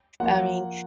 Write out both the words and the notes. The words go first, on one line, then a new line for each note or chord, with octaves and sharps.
I mean,
F3 A#3 F4 F#5